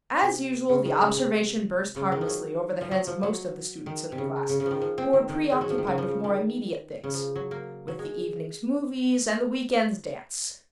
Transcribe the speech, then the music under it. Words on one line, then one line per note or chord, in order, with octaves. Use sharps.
As usual, the observation burst harmlessly over the heads of most of the students in the class, who were preoccupied with more immediate things--with the evening's movies and the week-end's dance.
C3
C#3
D#3
C#3
C3
C#3
D#3
F3
F#3
F3
F#3
F3
F#3
D#3
C3
C#3
C#3
C#3
F3
D#3
F3
C4
D#3
D#3
G#3
F#3
F3
D#3
C#3
F3
C#3
D#3
C#3
F3
F#3
A#3
F#3
G#3